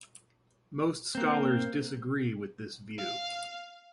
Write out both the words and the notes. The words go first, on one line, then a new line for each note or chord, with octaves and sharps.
Most scholars disagree with this view.
A#3 C4
F5